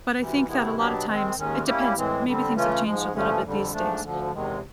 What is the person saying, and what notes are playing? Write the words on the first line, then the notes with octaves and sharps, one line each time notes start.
But, I think, that a lotta times it depends. Maybe things have changed a little bit these days.
D2 C3 E3 G3
C3 D#3 G#3 B3 E4
B2 F#3 B3 D4 G4
D#3 G#3 C4
D#2 D#3 G#3 C#4
G3 A#3 C#4 E4 G4
A2 E3 G#3 C4
D3 G3 C4
C#3 E3 A3 C#4 F4
G#2 F3 G#3
G2 D3 F3 A3 C#4
F2 D3 G3
G#2 F3 A3 D4
D2 D3 F3
E2 C3 D#3 G#3